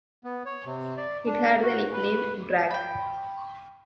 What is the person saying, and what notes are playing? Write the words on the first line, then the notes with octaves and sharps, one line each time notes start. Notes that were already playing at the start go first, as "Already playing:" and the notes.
It had the nickname "Brack".
B3
C#5
C3
D5
D4
F#4
B4
G5 B5